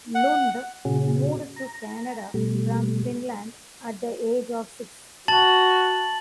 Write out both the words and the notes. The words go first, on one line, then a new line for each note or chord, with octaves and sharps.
Lund moved to Canada from Finland at the age of six.
F#5
A#2 C#3 C#4 F#4 G#4
A#5
B2 G3 A3
F#4 A5 A6 F#7